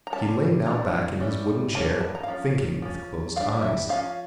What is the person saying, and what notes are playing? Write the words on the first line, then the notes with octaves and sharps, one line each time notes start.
He lay now back in his wooden chair, thinking with closed eyes.
A#5
G3 C#4 A5
E3 A3 D4 A#5
E3 G3 C#4
G3 A#3 C#4 A5
A5
A#5
F5
F3 C#4
F3 C#4
E3 G3 D4 F5
E5
F3 C#4 F5